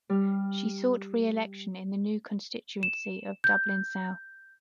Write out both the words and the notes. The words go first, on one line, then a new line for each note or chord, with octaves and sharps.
She sought re-election in the new constituency of Dublin South.
G3 F6
E7
G6